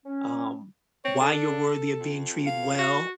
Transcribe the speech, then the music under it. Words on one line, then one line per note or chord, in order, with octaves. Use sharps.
um, why you're worthy of being treated well,
C#4
C4 C#5
D4 A4
F2
F5
F#4